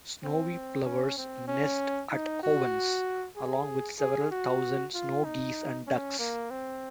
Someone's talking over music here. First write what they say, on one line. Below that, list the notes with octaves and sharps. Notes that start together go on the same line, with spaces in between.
Snowy plovers nest at Owens along with several thousand snow geese and ducks.
C4
C#4
C4
C#4
D#4
F#4
G#4
G#4
F#4
F4
D#4
C#4
A#3
C4